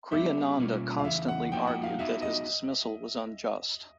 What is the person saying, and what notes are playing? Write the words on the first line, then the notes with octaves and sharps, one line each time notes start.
Kriyananda constantly argued that his dismissal was unjust.
G3 B3 D4 G4 E5
B2 G3 A#3 C#4 F4
F5
E2 C#3 E3 E5
F#5
F3 A#3 D#4 F#4 G5
F#5
F5
G#3 B3 D#4 F#4 E5
D#5